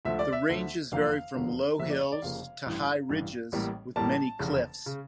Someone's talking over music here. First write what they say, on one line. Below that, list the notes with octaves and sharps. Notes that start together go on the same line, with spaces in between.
The ranges vary from low hills to high ridges with many cliffs.
D2 D3 F3 A3 E5
D5
E5
D2 D3 F3 A3
F1 E2 D3 F3 A#3 F5
F1 E2 D3 F3 A#3
F1 F2 C#3 F3 A#3 E5
D5
C#5
D5
F1 F2 C#3 F3 A#3 F5
A1 G2 E3
A1 G2 E3
A1 A2 G3 A#3
A1 A2 G3 A#3 A5
F1 E2 C#3
C#3